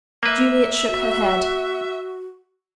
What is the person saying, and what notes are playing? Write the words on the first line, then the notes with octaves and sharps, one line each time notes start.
Juliet shook her head.
A#3 B4 E5
F#4